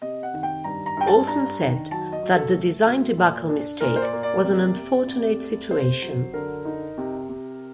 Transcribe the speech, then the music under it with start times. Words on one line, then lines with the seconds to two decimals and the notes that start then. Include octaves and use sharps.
Olsen said that the "design debacle" "mistake" was an "unfortunate situation".
0.02 C3 D#5
0.23 F#5
0.34 D#3
0.43 G5
0.64 G2 A#5
0.86 A#5
0.97 G2 G5
1.07 A5
1.27 D4 A#5
1.60 D#3
1.91 F#3 A5
2.12 D#5
2.23 F#3
2.34 A4
2.54 A3
2.86 D2
3.17 A#2
3.49 D4
3.80 A#2 A#4
3.96 C5
4.02 D5
4.13 A#3
4.23 D5
4.44 C3
4.76 C3
5.07 C2
5.39 A3
5.70 C3 C5
6.02 F#3
6.33 D3 A#4
6.65 D#4
6.97 C3
7.29 C3